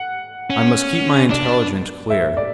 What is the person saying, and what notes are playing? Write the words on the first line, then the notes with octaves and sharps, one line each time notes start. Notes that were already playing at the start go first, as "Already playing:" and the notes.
I must keep my intelligence clear.
Already playing: F#5
C#4
D4 D5
E5
D5